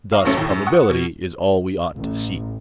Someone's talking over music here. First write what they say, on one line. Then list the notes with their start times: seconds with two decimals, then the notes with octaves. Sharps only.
Thus probability is all we ought to seek.
0.12 F5 A#5 C#6
0.25 A1 F#2 A3 C#4
0.37 D#2 A2
0.50 F#2
0.66 F#5 C#6 D#6
0.90 B2
1.95 A1